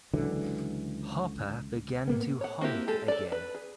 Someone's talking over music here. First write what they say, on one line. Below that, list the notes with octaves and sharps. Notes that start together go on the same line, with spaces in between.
Hopper began to honk again.
C#2 D3 E3 F#3
A2 A#3 B3
C#5 F#5
A#3 C4 E4 F#4 G4
G#3 G4 A4
A4 D5
B4
G#4